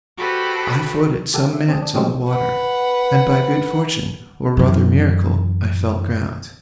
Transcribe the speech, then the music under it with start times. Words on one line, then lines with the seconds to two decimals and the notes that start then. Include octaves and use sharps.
I floated some minutes on the water, and by good fortune, or rather miracle, I felt ground.
0.18 F#4 G4 A4 B4 C5 B5
1.34 G4 A4 A#4 F#5
1.54 E5
1.68 C4 D4 G#4
1.82 D4
1.94 F#3 G#3 C4 C#4 G4 G#4
2.29 B4 F#5
4.57 F#2 E3